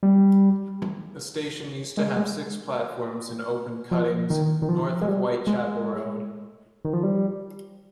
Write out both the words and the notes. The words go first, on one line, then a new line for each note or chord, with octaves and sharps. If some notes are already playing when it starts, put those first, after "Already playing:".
The station used to have six platforms in open cuttings north of Whitechapel Road.
G3
G#3
G#3
F3
D#3
D#3
F3
G#3
G3
G#3
D#3
F3
G3